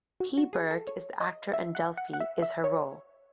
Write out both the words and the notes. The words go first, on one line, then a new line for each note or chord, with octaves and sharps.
P. Burke is the actor and Delphi is her role.
F#4
F#4
G#4
A4
C#5
D#5
E5
F#5
F#5
F#5
E5
E5
C#5